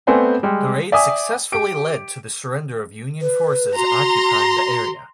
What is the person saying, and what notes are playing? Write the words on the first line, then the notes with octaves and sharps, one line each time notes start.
The raid successfully led to the surrender of Union forces occupying the area.
A3 B3 C4 C5 D5 G#5
G3 G#3
D5 E5 G5 G#5 D#6
G4 D7
B4
F#4 A#5 C6